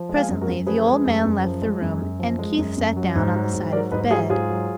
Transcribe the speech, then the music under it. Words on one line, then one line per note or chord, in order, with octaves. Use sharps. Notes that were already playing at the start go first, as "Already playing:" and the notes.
Presently the old man left the room and Keith sat down on the side of the bed.
Already playing: F3
G#3
F5 G#5
F#2
F#4 A#4
F#2
F3 G#4 B4
G#3
F#2
F#2
F3
G#3
F#2
F#2
F3
G#3
F#2
F#2
F#3
G#2
F#3
G#2
F#3 A#4 D5
G#2 B4 D#5
F#3 F4 G#4
G#2 F4 G#4
F#3